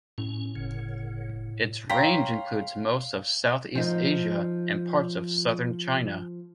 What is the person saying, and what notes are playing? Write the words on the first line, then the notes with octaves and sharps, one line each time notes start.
Its range includes most of Southeast Asia and parts of southern China.
A2 C#4
F#1 C#3
C#5 F5 G5 A#5 C6 B6
F3 D#4